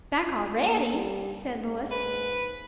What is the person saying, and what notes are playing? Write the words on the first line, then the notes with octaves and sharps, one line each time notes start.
"Back already!" said Louis.
F4
A#3
G3
G#2
B4